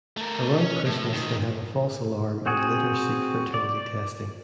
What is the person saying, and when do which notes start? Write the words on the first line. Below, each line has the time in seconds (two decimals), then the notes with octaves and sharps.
Around Christmas, they have a false alarm and later seek fertility testing.
0.17 A3 A#4
0.60 C#4
0.85 A2
1.13 A2 D#3
2.46 C4 F#4 G#4
3.54 D5